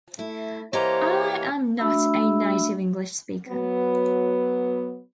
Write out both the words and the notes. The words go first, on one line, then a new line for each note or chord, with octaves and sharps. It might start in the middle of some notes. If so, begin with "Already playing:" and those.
I am not a native english speaker.
A3 E4
E3 A#3 G4 C5 C#5 D#5 A#5
A3 D4 F#4 E5 B5 E6
F#3 B3